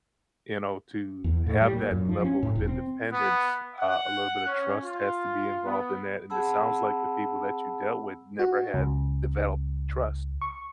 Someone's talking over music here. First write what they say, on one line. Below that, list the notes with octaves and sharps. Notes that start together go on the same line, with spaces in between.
you know, to have that level of independence, uh, a little bit of trust has to be involved in that, and it sounds like the people that you dealt with never have developed trust.
E2
A2
G3
A#2
F#2
F3
C#4
A2
E1
C4
B3
F#5
C#4
F4
B3
C4 G#4 F#5 A5 B5 E6
F#4
C#2
C#6